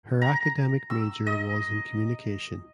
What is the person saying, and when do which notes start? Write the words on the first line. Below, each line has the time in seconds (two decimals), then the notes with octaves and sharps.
Her academic major was in Communication.
0.22 A#5
0.90 E6
1.27 D#5